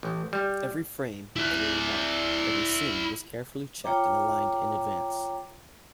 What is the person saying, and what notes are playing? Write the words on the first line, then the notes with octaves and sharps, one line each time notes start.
Every frame, every remark, every scene was carefully checked and aligned in advance.
A1
G3
E4 D5
F4 C#5 G5 A#5 D6